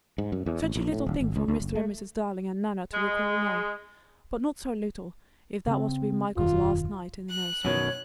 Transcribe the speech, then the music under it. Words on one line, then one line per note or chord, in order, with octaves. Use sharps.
Such a little thing for Mr. and Mrs. Darling and Nana to recall now, but not so little if that was to be Michael's last night in the nursery.
G#2
F#2
E2
A1
A#1
A2
D1
G#1
C#2
D2
F#1
A3
G#3
C#3 C4
E1 F#2 D#3 F4
F#6
F#2 B2 D#3 C#5